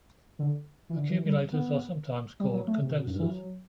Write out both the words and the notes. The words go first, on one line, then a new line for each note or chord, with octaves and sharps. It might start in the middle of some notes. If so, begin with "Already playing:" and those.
Accumulators are sometimes called condensers.
D3
E3
D3
E3
G3
B3
G3
F#3
A3
C3
B2
F#2
G2
E3
F#3